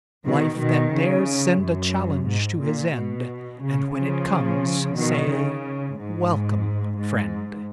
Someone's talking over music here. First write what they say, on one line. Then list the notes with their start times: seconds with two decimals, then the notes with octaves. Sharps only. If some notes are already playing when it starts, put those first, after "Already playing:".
Life, that dares send A challenge to his end, And when it comes, say, "Welcome friend."
0.24 B2 D#3
0.57 B2 D#3
0.92 C#3
1.59 F#2
2.26 G#2
2.59 A#2
2.93 B2
3.61 C#3
3.93 C#3 F3
4.95 B2 D#3
5.29 C#3
5.96 G#2
6.96 G#2